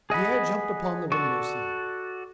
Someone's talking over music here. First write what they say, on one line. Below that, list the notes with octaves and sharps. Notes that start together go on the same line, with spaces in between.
Pierre jumped upon the window sill.
G#4 D#5 F#5 B5
F#4 A4 D5 C#6